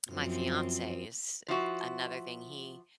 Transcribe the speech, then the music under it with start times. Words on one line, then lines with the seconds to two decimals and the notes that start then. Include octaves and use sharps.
my fiancé is i another thing. He
0.11 F#2 F3 C4
1.48 F3 E4 F#4